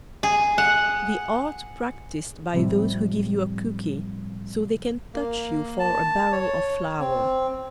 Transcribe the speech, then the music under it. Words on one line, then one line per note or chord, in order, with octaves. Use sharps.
The art practiced by those who give you a cookie so they can touch you for a barrel of flour.
G#4
F#5
A2 C3 F3 G3 C4
A#3
A5
C#5
C4